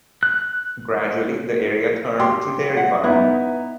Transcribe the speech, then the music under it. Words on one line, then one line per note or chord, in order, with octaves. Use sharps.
Gradually, the area turned to dairy farming.
F#6
G4 C6
F#5
B3 D#4 E4